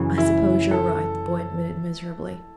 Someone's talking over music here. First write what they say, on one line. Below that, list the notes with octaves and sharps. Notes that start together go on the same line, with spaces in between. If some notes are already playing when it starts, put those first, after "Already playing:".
"I suppose you're right," the boy admitted miserably.
Already playing: F#2 C#3 E3
E4
A4